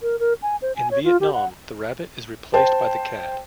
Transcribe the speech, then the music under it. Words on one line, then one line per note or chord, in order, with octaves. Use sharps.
In Vietnam the Rabbit is replaced by the cat.
A#4
A#4
G#5
C5
G#5
C#5
F4
G4
F#5
C5 G5 A5